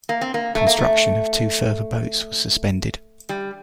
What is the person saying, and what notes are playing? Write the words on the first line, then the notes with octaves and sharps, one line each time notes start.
Construction of two further boats was suspended.
A#3
C4
A#3
A3
A#3
A3
G3